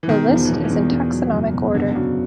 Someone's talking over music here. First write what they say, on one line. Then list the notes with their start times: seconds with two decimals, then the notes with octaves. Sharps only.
The list is in taxonomic order.
0.03 E3
0.08 B2 D#3
0.29 E2
0.36 F3
0.45 E3
0.50 B2 F3
0.64 E3
0.70 E2
0.92 E2
1.12 F#3
1.32 F#1
1.54 B2
1.74 F#1 D3
1.90 D3
1.95 C#3 F#3